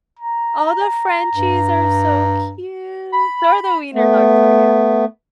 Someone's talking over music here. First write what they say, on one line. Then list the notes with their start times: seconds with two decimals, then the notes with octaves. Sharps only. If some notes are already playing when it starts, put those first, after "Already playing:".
All the Frenchies are so cute. They're the wiener dogs, though. Yeah.
0.19 A#5
1.34 G2
3.12 B5
3.94 A3 B3